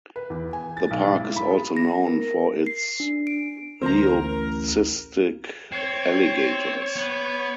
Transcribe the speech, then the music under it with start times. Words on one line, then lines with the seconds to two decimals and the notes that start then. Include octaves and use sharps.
The park is also known for its leucistic alligators.
0.16 B4
0.30 E2
0.53 G#5
0.77 A6
0.91 B1
1.07 G#2
1.21 E4
1.36 B5
1.51 G#4
1.77 A#6
2.07 A#4
2.67 C7
3.00 D4
3.27 D7
3.82 A1 D2 A#4 C5 A#5
5.72 C4 C#5
6.96 B3